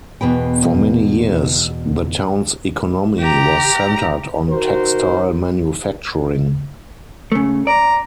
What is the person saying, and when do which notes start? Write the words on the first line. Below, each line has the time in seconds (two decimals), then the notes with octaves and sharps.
For many years, the town's economy was centered on textile manufacturing.
0.21 E2 B2 B4 G5
3.20 G4 A#5
4.50 D#3 F#4 A#4 C5
7.32 C#3 A3
7.67 D5 A#5